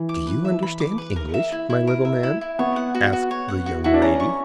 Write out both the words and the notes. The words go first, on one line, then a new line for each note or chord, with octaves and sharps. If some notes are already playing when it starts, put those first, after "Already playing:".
"Do you understand English, my little man?" asked the young lady.
Already playing: E3
D6
B4
E5
B5
D6
B4
A#4
E5
E4
E4
A#4
E5
E4
E4
B3 C#5
F#5
F#4
F#4
C#5
F#5
F#4
E4 F#4
D4
C#4 A#5
C#6